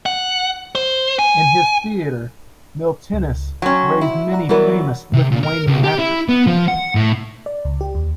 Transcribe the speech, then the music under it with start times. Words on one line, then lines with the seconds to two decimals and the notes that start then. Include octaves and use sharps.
In his theatre Miltinis raised many famous Lithuanian actors.
0.06 F#5
0.75 C5
1.19 G#5
3.13 C#2
3.62 F#3 C#4 F#5 G5 C6
4.01 E4
4.32 D5 F#5 A#5
4.49 E3 F#3 G3 B3 A#4 D5
5.13 C3
5.31 A#2
5.44 A#4
5.67 C#2
5.84 G4
5.98 E4
6.28 B3
6.47 F3
6.68 F#5
6.95 A2
7.46 D5
7.65 C#2
7.81 G4
7.95 D#2